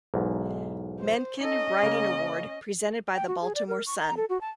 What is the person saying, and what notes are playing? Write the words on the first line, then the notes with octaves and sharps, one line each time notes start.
Mencken Writing Award presented by the "Baltimore Sun".
B1 E2 G#2
C5
C#4 D#4 A4 D#5
C#3 A#3
G5
F#4
G#4
D5
A#4
C#6
A#5
A4
F#4
A5